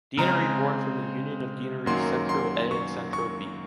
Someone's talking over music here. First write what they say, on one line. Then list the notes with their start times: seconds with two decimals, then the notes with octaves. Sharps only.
Deanery born from the union of deaneries “Centro A” and “Centro B”.
0.17 C#3 G#3 C4 A#5
1.86 F#2 D#3 F#3 A#3 C6
2.29 C6
2.71 C#6
3.13 C#6